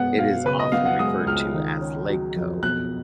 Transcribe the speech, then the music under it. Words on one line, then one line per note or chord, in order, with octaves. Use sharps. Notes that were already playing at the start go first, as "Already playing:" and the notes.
It is often referred to as "LegCo".
Already playing: B2 G#3 B3 F#5
B2 F5
C#3 B4
D#5
B3 F5
F#5
G#3 D#6
C#2 F6
D#3
C#4
F#3
F2
B2 F#6